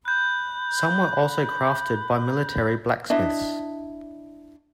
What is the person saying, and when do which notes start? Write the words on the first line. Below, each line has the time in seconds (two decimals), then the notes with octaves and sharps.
Some were also crafted by military blacksmiths.
0.05 B5 F#6 G6
3.10 D4 E4 D#5 E5